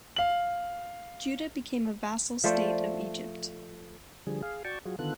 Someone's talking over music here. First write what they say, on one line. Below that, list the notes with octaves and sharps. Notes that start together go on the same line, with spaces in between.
Judah became a vassal state of Egypt.
F5 F#7
F3 A3 C5 D5
D3 F3 G3 G#4
G#4 F5
F#4 D5 G5 A5 C#6
F#3 F4 F#4 G#4
D3 D#3 B3 F4 A4 F#6